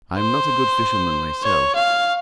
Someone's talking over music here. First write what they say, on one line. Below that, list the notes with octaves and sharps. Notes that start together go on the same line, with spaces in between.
I am not a good fisherman myself.
C5
C#5
F5